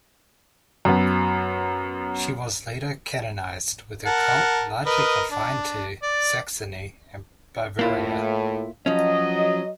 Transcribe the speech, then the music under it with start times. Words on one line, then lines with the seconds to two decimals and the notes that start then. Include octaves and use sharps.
She was later canonized, with her cult largely confined to Saxony and Bavaria.
0.85 F#2 B3
4.06 A#4 F#5 A5
4.86 A#4 B4 D#5
5.31 D4
6.03 D5
7.79 A2 A#3 E4 F4
8.86 F3 F#3 C#4 D#5